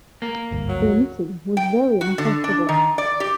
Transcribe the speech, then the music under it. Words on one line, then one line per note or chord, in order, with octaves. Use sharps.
Their meeting was very uncomfortable.
A#3
G#1 D2 G2
F#3
G5
F#4
D3
D4
D#3
D5
G4